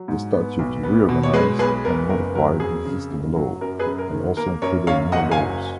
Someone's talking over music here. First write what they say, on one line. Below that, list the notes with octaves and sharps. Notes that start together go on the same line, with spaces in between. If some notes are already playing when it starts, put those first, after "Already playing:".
The statute re-organized and modified existing law, and also included new laws.
Already playing: F#3
G#2
B3
B1
B3
B2
C#5
G#3 G#4 B4
B1 G#4 B4
B3 A#4
F#1 A#4
F#3 A#4
F2 G#4
C#3
F#1
F#3
F#2 A#4
G#4 B4
F#2
A#4
D#3
A#3 A#4
F#2 A#4 C#5
F#2 C#5 F5
F#1 D#5 F#5
F5 G#5
F#3